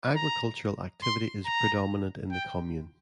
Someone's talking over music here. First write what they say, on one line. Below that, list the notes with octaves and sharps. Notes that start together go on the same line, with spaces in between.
Agricultural activity is predominant in the commune.
A#5
C6
A#5
G5